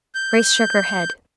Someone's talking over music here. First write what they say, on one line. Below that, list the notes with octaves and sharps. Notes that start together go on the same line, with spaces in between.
Grace shook her head.
G6